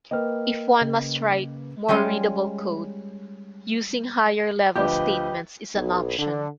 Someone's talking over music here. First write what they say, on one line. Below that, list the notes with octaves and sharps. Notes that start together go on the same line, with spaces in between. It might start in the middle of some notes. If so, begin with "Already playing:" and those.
If one must write more readable code, using higher-level statements is an option.
A#3 B4 D#5 G5 F6
C#3
G3 G#3 C#4 F4
D2 F3 G4 B4 D#5 G6
B1
D3